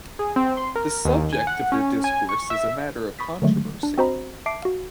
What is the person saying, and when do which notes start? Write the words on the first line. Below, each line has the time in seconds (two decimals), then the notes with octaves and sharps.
The subject of their discourse is a matter of controversy.
0.19 G#4
0.36 C4
0.57 C6
0.76 A#4
1.05 D#2
1.33 G#5
1.47 F#5
1.72 C#4
2.04 G#5
2.29 C#6
2.50 E5
3.19 B5 C#6 D#6 A6 B6
3.42 D3 D#3 F#3 G#3 A3
3.83 D4
3.98 C4 F#4 C5 D#5 A#5 B5
4.46 E5 A5 D6 C7 D7
4.62 F#4 F5